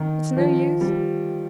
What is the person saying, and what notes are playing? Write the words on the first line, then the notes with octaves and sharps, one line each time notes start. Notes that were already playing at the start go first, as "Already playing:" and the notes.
It's no use.
Already playing: D#3
F3
G3